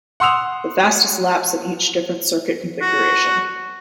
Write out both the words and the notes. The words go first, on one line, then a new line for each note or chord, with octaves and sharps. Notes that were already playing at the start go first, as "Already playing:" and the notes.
The fastest laps at each different circuit configuration.
F#5 C6 D#6 E6 F7
F#4